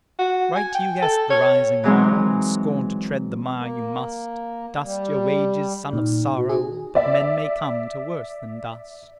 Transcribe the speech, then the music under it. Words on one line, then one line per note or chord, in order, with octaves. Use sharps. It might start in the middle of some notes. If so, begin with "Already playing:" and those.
Right you guessed the rising morrow And scorned to tread the mire you must: Dust's your wages, son of sorrow, But men may come to worse than dust.
F#4
G#5
G5
A4
C#5
E3 F#3 G#3 C4 D#4
A#3
G3
A#2 D#4
F#4
F#4 G#4
D5 E5